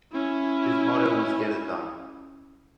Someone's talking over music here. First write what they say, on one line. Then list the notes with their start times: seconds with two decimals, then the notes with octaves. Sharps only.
His motto was "get it done".
0.12 C#4 E4